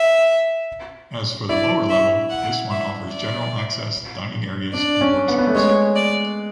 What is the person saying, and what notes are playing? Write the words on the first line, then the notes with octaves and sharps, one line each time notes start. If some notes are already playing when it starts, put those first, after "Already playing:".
As for the lower level, this one offers general access, dining areas, and workshops.
Already playing: E5
E4 D5
E5
F#5
E5
D5
D4 D5
C#4
B3
B3
A3
G#3 C#5
D5